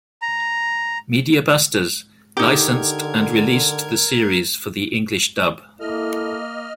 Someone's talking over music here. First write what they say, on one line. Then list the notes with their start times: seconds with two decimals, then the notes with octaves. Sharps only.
Media Busters licensed and released the series for the English dub.
0.22 A#5
2.37 D3 D#4 G4 A#4 G#6
5.81 A#3 E4 A4 D#5 F6